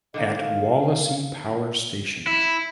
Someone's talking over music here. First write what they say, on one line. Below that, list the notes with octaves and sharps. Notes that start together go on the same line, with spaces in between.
At Wallasey power station.
D3 D#3 A#3 D#5
F5
E4